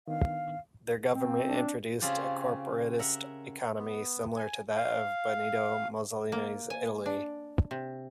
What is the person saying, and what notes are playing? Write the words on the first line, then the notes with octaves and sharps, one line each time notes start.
Their government introduced a corporatist economy, similar to that of Benito Mussolini's Italy.
D#3 B3 D4 F5
C4
D4
C#3 C4 C#4 F4 G4
A#4 E5 F#5
B3
G#5
F5
A#3
G#5
D4
C3